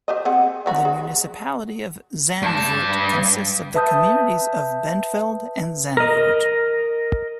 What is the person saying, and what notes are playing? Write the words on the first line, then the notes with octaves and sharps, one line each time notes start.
The municipality of Zandvoort consists of the communities of Bentveld and Zandvoort.
G4 C5 D#5
C4 G#4 F#5
F#3 F#4 B5
G#4
G2 A5
B4 E5 A5 D#6 G6
A#4 D#5